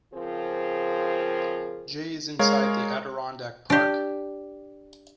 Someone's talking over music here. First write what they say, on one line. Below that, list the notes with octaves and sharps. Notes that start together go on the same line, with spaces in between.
Jay is inside the Adirondack Park.
C#3 F3 C4 F4 G#4 A#4
G#3 A#4 C#5 F5
D4 G4